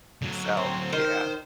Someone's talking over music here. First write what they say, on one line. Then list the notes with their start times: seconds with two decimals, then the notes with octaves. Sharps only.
So, yeah.
0.22 D3 F#3
0.57 C4
0.93 D#3 C5